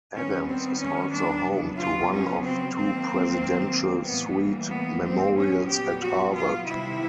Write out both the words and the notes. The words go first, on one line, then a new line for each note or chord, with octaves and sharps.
Adams is also home to one of two Presidential Suite Memorials at Harvard.
D#3 G3 B3 C#4
C4
C#4
D4
C#3 F#3 B3
F4
C#4
C4
D#3 F#3 A#3 C4
A2 E3 G3 A#3 B3
B3
C4
A#2 F#3 B3 C#4
G4
F#4
F4
C3 D#3 G3 B3 E4